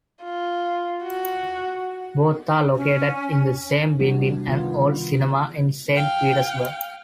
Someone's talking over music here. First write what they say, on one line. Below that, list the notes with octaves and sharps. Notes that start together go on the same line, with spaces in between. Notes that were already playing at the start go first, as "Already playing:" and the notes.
Both are located in the same building, an old cinema in Saint Petersburg.
F4
F#4
C#4
C3 E3 G3 B3 D4 F#4
D#3 B3 F4
F5 G5